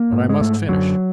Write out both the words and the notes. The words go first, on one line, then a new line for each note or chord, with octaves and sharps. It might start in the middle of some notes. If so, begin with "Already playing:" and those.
But I must finish.
Already playing: A#3
G#2
G#3
G#2 A3
F#2 D3 F#3